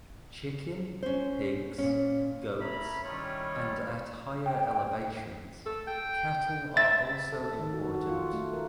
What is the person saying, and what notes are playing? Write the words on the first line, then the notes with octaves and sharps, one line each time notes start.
Chicken, Pigs, goats, and at higher elevations, cattle are also important.
C#4 C5
A#2 C#4
A#4 C#5 E5 A#5 B5
D#3 G3 C#4 E4 F4 C#5
G5
A4
G5
E5 A6
A4
D#3
F#4
F#4
F4
A3
A#4